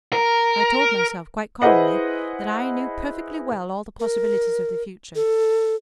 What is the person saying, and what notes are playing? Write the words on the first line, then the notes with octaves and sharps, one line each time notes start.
I told myself, quite calmly, that I knew perfectly well all the possibilities of the future.
A#4
E4 G#4 B4 C5 D#5 F#5
A#4
A4